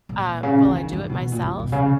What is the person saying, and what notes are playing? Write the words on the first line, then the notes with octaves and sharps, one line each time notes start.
Uh, Will I do it myself?
A#2
C#3
E3
D#3
D#3
B2
A#2
B2
B2
C#3